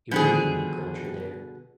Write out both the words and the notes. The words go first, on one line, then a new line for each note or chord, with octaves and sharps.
a really unique culture there.
B2 D3 D#3 F3 G#4